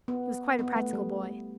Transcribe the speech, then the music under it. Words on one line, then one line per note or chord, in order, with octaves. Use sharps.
He was quite a practical boy.
B3
B3
A3
G3